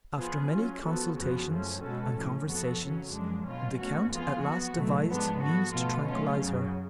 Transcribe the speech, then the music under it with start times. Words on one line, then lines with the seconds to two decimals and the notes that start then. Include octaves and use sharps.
After many consultations and conversations, the count at last devised means to tranquillize her.
0.17 F3 B3 F4 G#4
0.50 F#3 C#4 F4
0.83 F3 B3 F#4 A4
1.16 F2 C#3 F3 B3 F#4
1.48 F#2 F3 A3 C#4
1.81 B2 G#3 C#4 F#4 A4
2.13 A2 F3 G#3 C#4
2.46 F2 F3 B3 F#4 A4
2.79 F2 C#3 F#3 C#4
3.11 F#2 F3 G#3 D4
3.44 B2 F#3 C#4 F4
3.77 B2 A3 C#4 F#4
4.10 F2 F3 B3 F4 G#4
4.43 F#3 B3 F#4
4.75 B2 F#3 A3
5.08 G#2 F3 G#3 B3 D4
5.41 F3 B3 F#4 A4
5.73 B2 A3 F4 A4
6.06 F#3 A3 C#4 F4
6.39 F#2 C#3 F#3